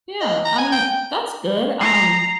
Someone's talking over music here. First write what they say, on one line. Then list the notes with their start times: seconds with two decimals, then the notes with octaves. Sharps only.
Yeah, I mean, that's good. Um,
0.21 D#5
0.45 A#5
0.58 G#5
0.72 G5
1.81 A#5 C7